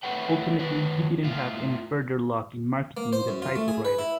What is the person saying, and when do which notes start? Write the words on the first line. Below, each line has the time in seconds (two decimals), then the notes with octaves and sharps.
Ultimately he didn't have any further luck in marketing the typewriter.
0.03 A3 B4 C#5 F#5 G5
0.59 D#3 F#3 F#4 B4 C#5
1.24 A2 F4 F5
2.97 A#3
3.13 C5
3.28 F#2
3.42 F4
3.56 A3
3.68 G#4
3.85 B4
3.99 E4